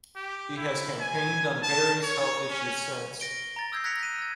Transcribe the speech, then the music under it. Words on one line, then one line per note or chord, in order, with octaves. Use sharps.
He has campaigned on various health issues since.
G4
E4
G#5
A5
C#5
C#4
A#6 D7 G7
A#5 A6
D#6 E6 G6 G#6 A#6 C7
F#6 G#6 A#6 B6 C#7 F7
D#7
E6 G#6